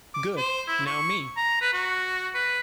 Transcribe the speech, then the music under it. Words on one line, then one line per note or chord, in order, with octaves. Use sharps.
Good. Now me.
D6
C5
E4
C#6
A#5
B4
F#4
B4